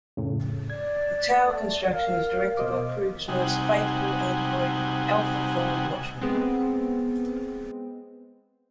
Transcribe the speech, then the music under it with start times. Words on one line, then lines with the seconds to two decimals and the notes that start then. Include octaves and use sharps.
The tower construction is directed by Krug's most faithful android, Alpha Thor Watchman.
0.17 F2 A2 C#3
0.70 D5 G#6
1.46 A3
1.92 A#4 F5
2.57 B2 C5 D#5 D6
3.28 C3 G3 D#4 F#4 G#5
6.22 G#3 B3 C4